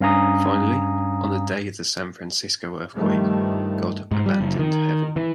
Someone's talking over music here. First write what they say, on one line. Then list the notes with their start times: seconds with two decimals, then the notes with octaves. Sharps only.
Finally, on the day of the San Francisco earthquake, God abandoned Heaven.
0.01 G2 C#4 F5 G#5 A#5 D#6
2.95 G2 D#3 F3 G3 A3
4.11 G#2
4.26 G3
4.40 F#1
4.59 D#3
5.16 E3